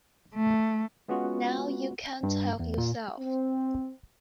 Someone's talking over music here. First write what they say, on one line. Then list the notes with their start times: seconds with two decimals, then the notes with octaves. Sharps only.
Now you can't help yourself.
0.35 A3
1.08 G#3 B3 C#4 F4 F#4
2.23 G2
2.60 E2
2.78 A#2
3.19 C4